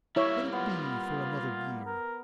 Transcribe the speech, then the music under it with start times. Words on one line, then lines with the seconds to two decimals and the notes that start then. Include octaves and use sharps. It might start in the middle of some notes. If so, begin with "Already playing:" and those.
Let it be for another year.
0.16 G3 A#3 E4 C#5 E5
0.53 B3 F4
1.86 A#4